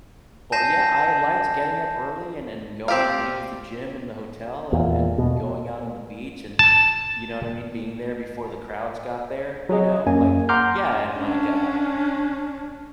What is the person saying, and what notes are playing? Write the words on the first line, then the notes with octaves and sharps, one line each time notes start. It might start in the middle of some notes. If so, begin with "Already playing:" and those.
but, yeah, I liked getting up early and and going to use the gym in the hotel and and going out on the beach and, you know what I mean? Being there before the crowds got there, you know? Like yeah, and like, uh,
G#5 A5 G6 A#6 C7 E7
C4 G4 D5 F5
E2 A#2
B2
A5
F#3 F#4 G#4 D#5
F#2 A#3 C#4 G#5
F#5 A#5 C6 D6 F6 G6
C#4 D4